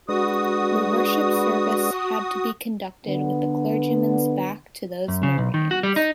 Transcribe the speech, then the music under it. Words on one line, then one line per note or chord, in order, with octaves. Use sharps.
The worship service had to be conducted with the clergyman's back to those Marines.
G#3 D4 F#4 B4 D#6
D3 B3
F#2
C#3
B1
D#3
F#4
G3
D#4